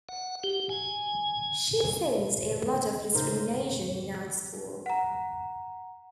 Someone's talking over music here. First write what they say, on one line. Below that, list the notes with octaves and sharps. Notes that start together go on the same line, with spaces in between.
She faced a lot of discrimination in art school.
F#5
G4
G#5
C#3 D#4 A#4 C5
F#5 A#5